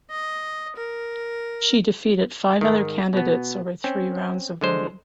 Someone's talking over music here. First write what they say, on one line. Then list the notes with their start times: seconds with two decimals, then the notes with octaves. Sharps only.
She defeated five other candidates over three rounds of voting.
0.10 D#5
0.76 A#4
2.61 G#2 D#3
3.13 B2 B3
3.84 C4 C#4
4.61 D3 G#3 C5